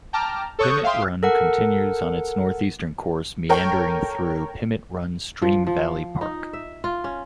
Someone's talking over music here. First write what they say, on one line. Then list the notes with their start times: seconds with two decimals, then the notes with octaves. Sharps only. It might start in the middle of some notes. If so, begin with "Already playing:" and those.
Pimmit Run continues on its northeastern course meandering through Pimmit Run Stream Valley Park.
0.13 G5 A5 A#5 D6 F6
0.59 A4 C#5 C#6 D#6 F#6 G6
0.83 E5 F5 G5 C6 D#6
1.23 A4 A#4 F#5
3.49 A4 A#4 C#5 G5
5.42 F3
5.67 F3
6.21 D#4
6.53 E5
6.84 F4
7.04 C#4